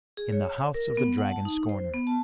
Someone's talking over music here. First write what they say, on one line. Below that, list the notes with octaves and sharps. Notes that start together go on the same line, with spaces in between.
In the House of the Dragon Scorner.
G#4
C#5
A#4
B3
F#5
A5
D#4
C5
B3
A5